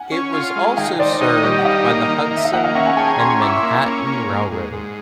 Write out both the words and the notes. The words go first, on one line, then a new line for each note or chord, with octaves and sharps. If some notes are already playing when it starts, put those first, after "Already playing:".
It was also served by the Hudson and Manhattan Railroad.
Already playing: F#5 G#5
C#4
F4
G#3
D#3 F5 G5
D#3 C5 D5
D5
D#4 C#5 D#5
G3 C#5 D#5
F#5
D#4 D#5 F5
A#3
D#3
D#3
E5
F5
A#3 E5 F#5
D#5 F5
C#4 E5 F#5
F#5 G#5
G#4 G5 A5
G#5 A#5
C#4 A#5 C6
E4 D6
C#6
C6 D6
A#3
C#4
A#3
G#2
G#2
G#2